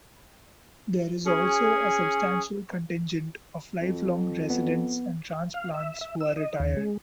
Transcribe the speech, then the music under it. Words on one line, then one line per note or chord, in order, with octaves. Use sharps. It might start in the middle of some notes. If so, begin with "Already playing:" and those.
There is also a substantial contingent of lifelong residents and transplants who are retired.
C#4 G#4
F2
B3
F5
E5
E5
E6
D#5
D#2
G#3